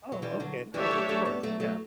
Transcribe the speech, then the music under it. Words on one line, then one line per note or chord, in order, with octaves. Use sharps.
Oh, okay. Well, of course, yeah.
F#3
E3 G3
D3 F#3
E3 G3 D4 G4 C#5 E5
F#3 A3
F#3 A3
G3 B3
F#3 A3
F#3 A3